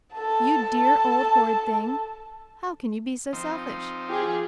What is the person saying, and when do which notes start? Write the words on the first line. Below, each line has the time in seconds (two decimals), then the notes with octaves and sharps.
"You dear old horrid thing How can you be so selfish?"
0.15 A4 A5
3.33 F3 C4 D#4
4.08 F4 G4 G#4